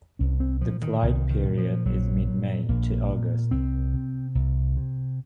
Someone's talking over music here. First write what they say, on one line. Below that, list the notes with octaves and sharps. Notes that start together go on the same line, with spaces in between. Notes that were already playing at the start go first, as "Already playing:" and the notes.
The flight period is mid May to August.
C2 C#4
C4
A#2 F3
D#3
C2 D#3
D#3
A#2
F3
A#1 F#3
A#2
A#1 A#3
A#2
C2 C4
C3
C2
C3